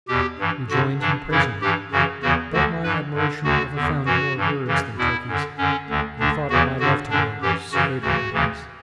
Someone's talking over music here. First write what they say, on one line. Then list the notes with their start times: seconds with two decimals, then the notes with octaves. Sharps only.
We joined in praising her, but my admiration ever found more words than Turkey's, and I thought my love to her was greater than his.
0.08 E2 B2 G4
0.39 G2 E3
0.70 G2 D3 F#4
1.01 G2 E3 D4
1.31 F#2 C#3 E3 E4
1.62 G2 E3 G4
1.91 F#2 C#3 E3 F#4
2.22 E2 C#3 E3 F#4
2.53 D2 D3 F#4
2.83 G2 E3 B4
3.14 G2 D3
3.44 D2 D3 F#4
3.75 E2 D3
4.05 F#2 E3 F#4
4.37 G2 E3
4.67 F#2 C#3 E3
4.98 E2 B2 E4
5.27 F#2 D3
5.58 F#2 D3 C#4
5.89 D2 D3
6.19 D2 D3 D4
6.50 E2 C#3 E3 F#4
6.80 G2 D3 F#4
7.10 F#2 D3 D4
7.41 F#2 E3 G4
7.72 F#2 C#3 E3 F#4
8.02 D2 C#3 E3 F#4
8.33 D2 C#3 E3